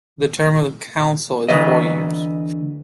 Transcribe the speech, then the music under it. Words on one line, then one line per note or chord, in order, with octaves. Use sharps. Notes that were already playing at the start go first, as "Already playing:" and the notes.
The term of the council is four years.
D2 E3 B4 D#5